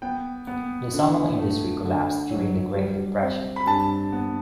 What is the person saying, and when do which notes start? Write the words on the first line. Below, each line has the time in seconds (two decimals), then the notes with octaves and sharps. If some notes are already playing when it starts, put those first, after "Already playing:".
The sawmill industry collapsed during the Great Depression.
0.02 B3 G5
0.47 B3
0.93 D3
1.39 A3
1.85 D3
2.31 F#3
2.76 G3
3.21 C4
3.56 B5
3.66 G2 A5
4.12 B3